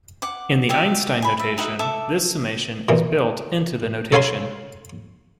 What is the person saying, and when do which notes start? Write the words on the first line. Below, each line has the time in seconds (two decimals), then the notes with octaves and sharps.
In the Einstein notation this summation is built into the notation.
0.22 F#5 D6
0.69 F#4 G4 D5 E5
1.22 G#5 B5
1.39 E5
1.58 D#4 F#4 E5
1.79 A4 E5 D6
2.89 A#2 E3
4.12 A4 C#5 F5 G#5 B5 C6